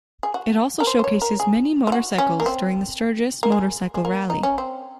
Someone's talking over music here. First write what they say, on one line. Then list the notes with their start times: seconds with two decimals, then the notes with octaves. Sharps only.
It also showcases many motorcycles during the Sturgis Motorcycle Rally.
0.23 G#4
0.34 F#4
0.80 A#4
0.87 C5
0.99 C5
1.04 C#5
1.22 A#4
1.40 G#4
1.87 F4
1.92 F#4
2.18 C#4
2.40 A#3
2.46 C4
3.43 A#3
3.52 G#3
3.95 G#3
4.05 A#3
4.30 D#4
4.43 C#4
4.58 C4